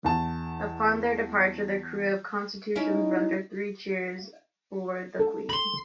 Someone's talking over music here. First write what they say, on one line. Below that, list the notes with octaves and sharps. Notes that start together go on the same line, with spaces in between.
Upon their departure, the crew of "Constitution" rendered three cheers for the Queen.
E2 A5
C#4 D#4 E4
A4
B5 C6